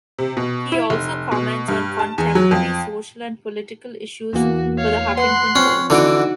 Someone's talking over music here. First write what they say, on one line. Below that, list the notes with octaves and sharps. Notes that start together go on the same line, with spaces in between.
He also comments on contemporary social and political issues for the "Huffington Post".
C3
B2
E4
F1
B2
G2
A5
E2
F#3
F2
E2 E3 A#3 F#4
C#5 F5
B4 F#5 C6 F#6
F3 C4 C#4
D3 E3 D#4 F#4 D7